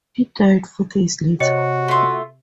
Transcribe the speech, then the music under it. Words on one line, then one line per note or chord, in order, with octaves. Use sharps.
He died four days later.
C3 F#4 C#5 D#5 C#7
A3 F4